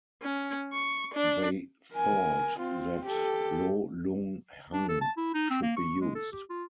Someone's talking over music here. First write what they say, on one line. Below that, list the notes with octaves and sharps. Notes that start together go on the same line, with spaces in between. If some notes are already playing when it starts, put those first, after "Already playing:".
They thought that Lo Lung Hang should be used.
C#4
C#6
D4
A#4 G#5
C4 F4
G4 A4
D4
A4
A5
E4
D#4
C4
A#3
C#6
G#3
A4
G4
F4